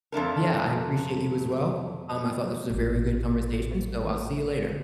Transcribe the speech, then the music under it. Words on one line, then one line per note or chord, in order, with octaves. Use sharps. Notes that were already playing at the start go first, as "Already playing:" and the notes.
Yeah, I appreciate you as well, um, I thought this was a very good conversation, so I'll see you later.
F2 A3 D4 A#4
A1 A#2